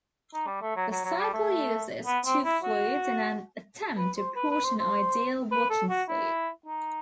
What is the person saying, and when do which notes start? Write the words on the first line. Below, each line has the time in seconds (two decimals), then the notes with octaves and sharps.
The cycle uses two fluids in an attempt to approach an ideal working fluid.
0.33 D#4
0.47 G3
0.62 A3
0.76 F#3
0.91 F#3
1.05 F#3
1.19 G3
1.33 A3
2.06 B3
2.25 C4
2.44 E4
2.63 F#4
3.97 B4
4.17 C5
4.36 B4
4.51 B4
4.64 C5
4.79 C5
5.52 B4
5.70 A4
5.89 F#4
6.08 E4
6.66 D#4